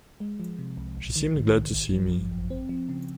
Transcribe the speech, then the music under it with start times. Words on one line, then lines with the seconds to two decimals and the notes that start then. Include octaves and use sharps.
She seemed glad to see me.
0.20 G#3
0.40 F3
0.59 C3
0.77 C2
0.97 A#1
1.16 D#3
1.35 G#2
1.54 A#1
1.73 G#1
1.93 F3
2.12 F#2
2.31 G#1
2.50 C4
2.69 F3
2.89 C#3